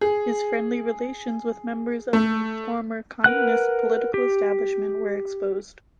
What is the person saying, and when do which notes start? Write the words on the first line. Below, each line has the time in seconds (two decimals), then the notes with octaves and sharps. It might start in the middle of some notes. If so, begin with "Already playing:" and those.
His friendly relations with members of the former communist political establishment were exposed.
0.01 G#4
2.13 A3
3.24 A#4 B4 F#5 F#6
4.14 G4